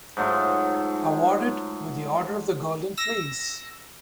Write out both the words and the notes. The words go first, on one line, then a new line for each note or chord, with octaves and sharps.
Awarded with the Order of the Golden Fleece.
G#2 F#3 A3 F4
E6 A#6